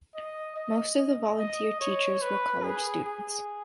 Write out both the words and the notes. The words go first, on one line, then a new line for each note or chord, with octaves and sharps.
Most of the volunteer teachers were college students.
D#5
D#5
D#5
D#5
C#5
B4
G#4
G#4